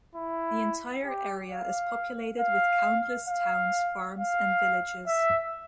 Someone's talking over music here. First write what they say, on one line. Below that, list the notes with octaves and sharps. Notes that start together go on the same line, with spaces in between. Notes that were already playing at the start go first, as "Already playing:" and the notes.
The entire area is populated with countless towns, farms, and villages.
E4
G4
F5
F5
F5
F5
E5